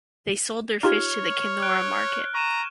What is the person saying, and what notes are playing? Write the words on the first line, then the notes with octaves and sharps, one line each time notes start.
They sold their fish to the Kenora market.
D#4 F4 G4 C#5 F6 G#6
F#6 D7 G7
A#5 C#6 D#7 E7